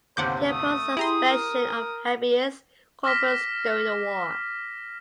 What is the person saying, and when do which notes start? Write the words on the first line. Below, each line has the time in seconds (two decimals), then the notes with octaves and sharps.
He opposed the suspension of habeas corpus during the war.
0.17 G1 D#2 C3 C5 F#5 D6 G6
0.50 A3 D#6
0.97 E4 G4 G#4 A#5 C6
1.30 A#4
3.04 D6 F6 A#6 B6